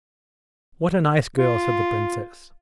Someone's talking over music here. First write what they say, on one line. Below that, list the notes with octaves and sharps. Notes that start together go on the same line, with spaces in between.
"What a nice girl!" said the princess.
F4